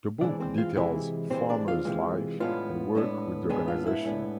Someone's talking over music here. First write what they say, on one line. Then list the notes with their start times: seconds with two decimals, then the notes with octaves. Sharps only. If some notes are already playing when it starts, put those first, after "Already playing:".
The book details Farmer's life and work with the organization.
0.21 C3 E3 G#3 D4 D5
0.40 C4 C5
0.58 F4 F5
0.76 C3 E3 G#3 E4 E5
1.30 C3 E3 G#3 C4 C5
1.49 D4 D5
1.68 F4 F5
1.85 C3 E3 G#3
2.40 A2 G#3 B3 D4 F4 F5
2.95 A2 G#3 B3 D4
3.49 A2 G#3 B3 D4 G#4 G#5
3.68 F4 F5
3.86 E4 E5
4.04 A2 G#3 B3 D4